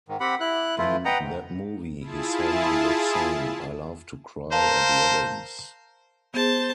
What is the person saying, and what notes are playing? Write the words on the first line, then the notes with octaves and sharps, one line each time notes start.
In that movie, he sang the song "I Love to Cry at Weddings".
G#2 D#3
C4 G4 F#5 B5
E4 F#6
E3 A3 E4 F4
B4 D#5 F#5 G5 A#5
G#2
E4 F4 G#4 A5
A#4 C5 F5 A5
B3 G#4 C5 A5